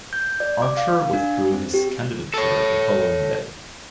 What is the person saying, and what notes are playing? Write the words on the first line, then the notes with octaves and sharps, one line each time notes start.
Archer withdrew his candidature the following day.
G6
D5
D6
F5
F5
D4
C4
G4
A4 C#5